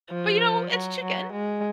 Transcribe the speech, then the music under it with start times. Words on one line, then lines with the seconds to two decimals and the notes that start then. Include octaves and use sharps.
But, you know, it's chicken.
0.11 F3
0.72 F#3
1.02 F#3
1.32 G#3